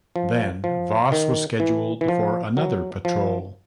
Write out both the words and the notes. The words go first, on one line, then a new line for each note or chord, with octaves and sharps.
Then Voss was scheduled for another patrol.
F3
F3
D#3
E3
E3
F3
F#3
F3